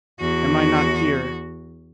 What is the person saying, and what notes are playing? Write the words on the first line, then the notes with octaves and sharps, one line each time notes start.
Am I not here?
E2 F#4